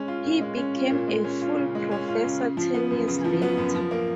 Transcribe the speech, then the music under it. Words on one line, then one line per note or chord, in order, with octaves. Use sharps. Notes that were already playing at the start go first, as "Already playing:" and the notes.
He became a full professor ten years later.
Already playing: G#3 C#4
F4
A#2
G#3
C#4
F4
A#2
G#3
C#4
F4
C#3
G#3
C#4
F4
C#3
C#3
F3
B3
F#2
C#3
F3
B3
F#2
F3
A#3